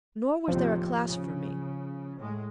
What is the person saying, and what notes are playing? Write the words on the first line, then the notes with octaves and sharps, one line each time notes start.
Nor was there a class for me.
D#2 A2 C3 F3
C#3
A2 G#3